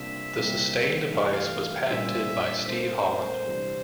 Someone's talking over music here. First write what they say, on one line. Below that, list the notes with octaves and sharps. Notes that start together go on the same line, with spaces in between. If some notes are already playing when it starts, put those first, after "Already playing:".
The sustain device was patented by Steve Holland.
Already playing: C3 G3 A#3 D4 F4 E5
C3 G3 A#3 E4 A#4
E3 A3 E4 G4 F5
A#2 G3 D4 F4 C5 E5
A#2 A3 C4 F4 A#4 C5
C3 E3 G3 D4 G4